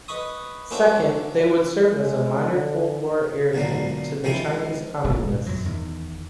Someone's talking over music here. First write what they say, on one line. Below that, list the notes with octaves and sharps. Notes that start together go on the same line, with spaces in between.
Second, they would serve as a minor Cold War irritant to the Chinese Communists.
B4 D#5 B5 C#6 D#6
A#3 C#4 D4 F#4 C5 E5
G#3
D3
B1 A#2 D3 F#3 A#3
D#3 F3 G#3 C4 C#4 E4
D#1 A1 G#3
B2
F#2 A#2 F#3
E2 D#3